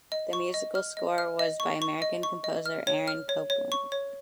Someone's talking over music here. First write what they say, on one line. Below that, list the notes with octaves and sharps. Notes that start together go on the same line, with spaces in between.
The musical score was by American composer Aaron Copland.
D#5
C#6
D#5
F6
D#5
F6
D#5
C#6
C#6
D#5
C#6
D#5
F6
C#5
F6
C#5
C#5
C#6
C#5